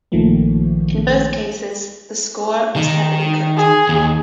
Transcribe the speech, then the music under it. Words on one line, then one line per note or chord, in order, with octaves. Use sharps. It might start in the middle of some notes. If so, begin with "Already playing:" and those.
In both cases, the score was heavily cut.
A#1 D#3 F3 A3 A#3
D#3
G#4
D#2